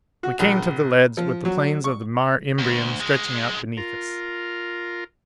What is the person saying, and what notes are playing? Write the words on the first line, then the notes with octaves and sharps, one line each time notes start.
We came to the ledge with the plains of the Mare Imbrium stretching out beneath us.
F#4
A#1
F3
F#3
C#6
D2
D2 G#3
F4 A#4